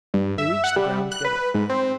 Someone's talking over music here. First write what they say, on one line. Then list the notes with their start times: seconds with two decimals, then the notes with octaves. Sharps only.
They reached the ground together.
0.14 G2
0.38 E5
0.64 F#5
0.76 G3
1.12 F#6
1.25 B4
1.54 G#2
1.69 C4